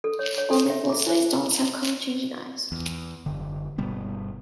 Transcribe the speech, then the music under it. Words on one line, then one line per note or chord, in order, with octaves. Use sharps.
Only full-sized dolls have color-changing eyes.
A4
C#5
C#5
A4
E5
D6
C5
E2
F#1 D3
G1 B2 G3 B3